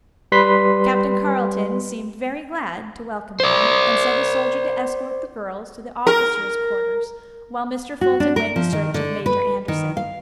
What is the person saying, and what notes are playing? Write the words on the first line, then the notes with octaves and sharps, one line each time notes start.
Captain Carleton seemed very glad to welcome them, and sent a soldier to escort the girls to the officers' quarters, while Mr. Fulton went in search of Major Anderson.
G3 B4 C6 B6
C5 D5
A#4
F#4
D4
A#4
F3
D#3
D3
B4
D#3
F5